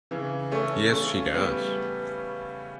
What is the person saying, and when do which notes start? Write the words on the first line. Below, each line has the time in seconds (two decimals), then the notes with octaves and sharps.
Yes, she does.
0.11 C#3 E3
0.52 A3 C#4
0.92 A3 C#4
1.34 G3 B3